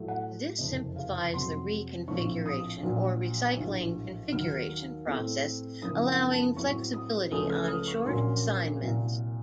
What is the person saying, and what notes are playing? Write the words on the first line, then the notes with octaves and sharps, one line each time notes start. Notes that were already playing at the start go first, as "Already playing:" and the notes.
This simplifies the reconfiguration or recycling configuration process allowing flexibility on short assignments.
Already playing: A2 F#3 A3
F#5
F#1 F2 C3 D#5
F5
F2 C3 F#3 C6
A#1 A2 F3 C4 C#6
D#6
A#1 A#2 F#3
A#1 A2 F#3
D#2 D#3 F#3 F6
A2 A3 C4
F#1 F#2 C#3 F3 A#3 D#6
F#5
A5
A2 F#3 C4 C#6
D#6
C#2 C#3 F3 A3 C#4 D#6
F6
D#6
C#6
A#1 A#2 F#3 A#3 C#4 C6
C2 A#2 F#3